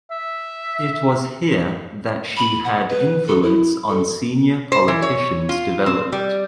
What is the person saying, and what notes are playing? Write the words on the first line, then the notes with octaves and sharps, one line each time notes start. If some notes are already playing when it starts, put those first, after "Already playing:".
It was here that she had influence on senior politicians developed.
E5
B5
F#5
B4
A4
E4
A4
C5
E3
C#5
F4
C4
G3